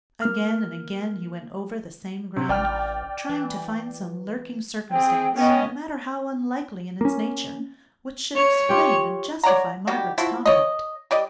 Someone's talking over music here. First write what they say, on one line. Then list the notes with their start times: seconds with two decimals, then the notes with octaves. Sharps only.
Again and again he went over the same ground, trying to find some lurking circumstance, no matter how unlikely in its nature, which should explain and justify Margaret's conduct.
0.22 A#3 F6
2.36 C3
2.49 A1 D5 G5 F6
3.30 E3
4.90 C4 G#4 G5
5.36 B3 C#4 D#5 G5
7.01 A#3 C#4
8.35 C#5
8.69 F4 G4 G5
9.43 C#5 D5 F#5 A#5
9.87 D#3 G3 F#4 G4
10.18 F3 E4 F#4 E5
10.46 C#5 D#5
11.11 G3 D5 D#5